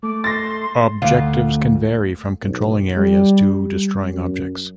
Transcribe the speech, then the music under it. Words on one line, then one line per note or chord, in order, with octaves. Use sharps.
Objectives can vary from controlling areas to destroying objects.
A3 D6
C6 A6 A#6
D2 F4
B1
G3
G3
F#2